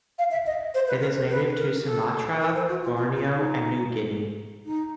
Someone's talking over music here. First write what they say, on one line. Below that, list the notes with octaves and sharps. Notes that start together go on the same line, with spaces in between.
It is native to Sumatra, Borneo, and New Guinea.
F5
E5
D#5
C5
B4
A#4
C5
B4
A#4
A4
A#4
C5
F#4
F4
F4
F4
D#4
D#4